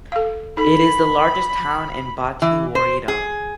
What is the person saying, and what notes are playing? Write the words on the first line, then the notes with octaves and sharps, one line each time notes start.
It is the largest town in Bati woreda.
A4 F5
D#4 A4 B5
E3
C5
G#4